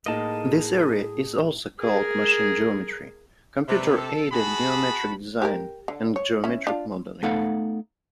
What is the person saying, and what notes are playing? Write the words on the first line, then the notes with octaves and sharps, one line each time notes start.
This area is also called "machine geometry", computer-aided geometric design, and geometric modelling.
A2 A#3 D#4 G#4 D#5 A5
G#4 A#4
C3 A3 D4 B4
A4
F#4 G#4 A5 B5
G4 G#4 A#4
D3
C#5
C#4 E4
D4 F4
A3 B3 D#4 A4 F5 F#5